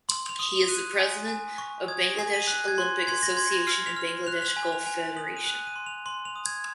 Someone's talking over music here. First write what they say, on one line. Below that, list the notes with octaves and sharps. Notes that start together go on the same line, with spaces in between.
He is the President of Bangladesh Olympic Association and Bangladesh Golf Federation.
C6 F#7
F7
D#6
F7
F#6 D#7
G#5
G#5
C#6
D#6 G#6
A#6
G#5 C7
D#7
F#6
G#6
C6
C6 G#6
A#6
C6 G#6
A#6
F6 C7
F7
F6
F#7
F#6 F7
F7
G#5 F#7
F7
G#5 F7
D#6 F#7
D#7
F#6 F7
D#7
C6
F7
C6 F#7
F7
D#6
G#6